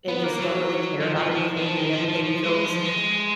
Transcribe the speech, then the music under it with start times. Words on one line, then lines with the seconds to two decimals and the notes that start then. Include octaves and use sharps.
and just don't really care about anything, and then everything feels
0.08 B3
0.24 A#3
0.39 F#3
1.00 F3
1.16 F3
1.31 F3
1.57 D#3
1.62 F3
1.78 D#3
1.93 F3
2.08 F3
2.24 F3
2.44 G#3
2.64 F3
2.85 G#3